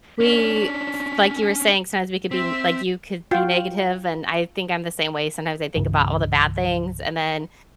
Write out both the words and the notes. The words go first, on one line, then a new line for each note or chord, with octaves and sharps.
we like you were saying, sometimes we could be like you could be negative, and I think I'm the same way. Sometimes I think about all the bad things, and then
C#4 D4 B6
C4 E5 B6
F4 F#4 G5
C2 G2 C#3 E3